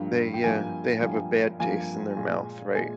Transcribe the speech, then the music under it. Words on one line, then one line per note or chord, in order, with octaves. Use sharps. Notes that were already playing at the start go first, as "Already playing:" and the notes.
They, uh, they have a bad taste in their mouth, right,
Already playing: G2 F3 A#3
G5
G2 F3 A#3 G#5
G2 F3 A#3
G2 F3 A#3 G#5
A#2 G#3
A#2 G#3 G#5